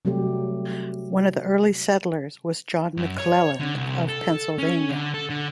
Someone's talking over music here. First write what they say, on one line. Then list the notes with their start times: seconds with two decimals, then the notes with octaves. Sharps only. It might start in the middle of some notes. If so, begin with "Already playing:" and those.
One of the early settlers was John McClelland of Pennsylvania.
0.05 C3 F#3 G3 A3 G4
2.97 F#2
3.18 C#5
3.60 D3
3.75 C2
4.09 A4
4.58 C#4
4.90 D3
5.14 A4
5.30 D3